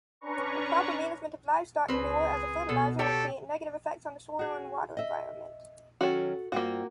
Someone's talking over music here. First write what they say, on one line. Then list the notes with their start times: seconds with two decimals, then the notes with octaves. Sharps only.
Improper management of livestock manure as a fertilizer would create negative effects on the soil and water environment.
0.21 C#4 D4 B4 A#5 C#6
1.88 C#2 C4 G#4 B4
2.69 B2 B3 A4
2.99 G4 A4 C#5 G5
4.39 F#4 G#4
4.97 D#5 E5
6.01 D#3 F#3 C#4 F#4 A4
6.52 G2 A#3 C4 F4 F#4